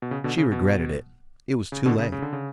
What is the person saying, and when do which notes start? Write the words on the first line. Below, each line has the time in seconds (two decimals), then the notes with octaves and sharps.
She regretted it. It was too late.
0.02 B2
0.11 C#3
0.24 B2 D3
0.38 C#3
0.52 B2
1.72 C#3
1.86 B2 D3
1.99 C#3
2.12 C#3
2.22 D3
2.33 C#3